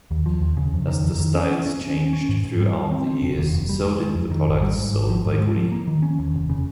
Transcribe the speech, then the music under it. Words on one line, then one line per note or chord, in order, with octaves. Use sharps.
As the styles changed throughout the years, so did the products sold by Goody.
D#2
F3
D#2
C#3
F2
D#3
F2
D#3
C#4
C#4
C#4
C#4
C#4
C#4
G#2
G#2
G3
G3
C4
C4
F1
D#2
F1
G3
G#3
G#3
F2
D#3
G#1
G3
G#2
G#1
F3
G#2
G#3
F3
A#3
D#3
C#4
D#2
F1
C#3